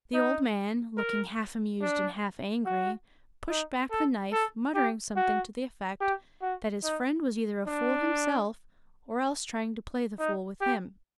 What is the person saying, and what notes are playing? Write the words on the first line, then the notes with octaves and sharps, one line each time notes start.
The old man, looking half amused and half angry, pushed back the knife, muttering something to the effect that his friend was either a fool himself, or else trying to play the fool with him.
D#4
A#4
D4
F#4
D#4
A4
A4
G4
F#4
G4
F#4
D#4
D4
D#4
G4